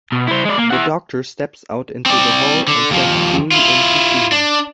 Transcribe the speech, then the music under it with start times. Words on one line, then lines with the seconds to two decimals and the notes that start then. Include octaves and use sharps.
The doctor steps out into the hall and sends Julie in to see him.
0.12 B2
0.27 E4 C5
0.45 G#3 D5
0.58 A#3
0.70 E4 F#5
2.06 C4 D5
2.68 D3
2.91 D#2 F3
3.52 E4 F4
4.32 D4